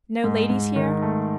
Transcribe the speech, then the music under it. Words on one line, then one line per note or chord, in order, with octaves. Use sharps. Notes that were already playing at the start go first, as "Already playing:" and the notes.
No ladies here?
G#2
G#2
D#3
A3